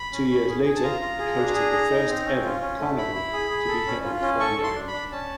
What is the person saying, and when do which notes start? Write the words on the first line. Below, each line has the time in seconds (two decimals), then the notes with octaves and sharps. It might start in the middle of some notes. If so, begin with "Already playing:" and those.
Two years later, it hosted the first-ever carnival to be held on the island.
Already playing: B5
0.12 C#4
0.30 C#4
0.48 G#4
0.65 G#4
0.76 A5
0.83 F4 A#5
1.02 F4
1.19 G#4
1.36 D4
1.55 G#4
1.72 G#4
1.90 D#4
2.08 C4
2.25 C#4
2.44 F4
2.62 C#4
2.79 A3
2.98 E4 B5
3.15 E4
3.33 G#4
3.50 G#4
3.68 A4
3.86 C#4
4.04 F4
4.22 C#4
4.39 A4 C#6
4.57 A4
4.64 C6
4.75 D4
4.88 B5
4.93 D4
5.12 C#4 A5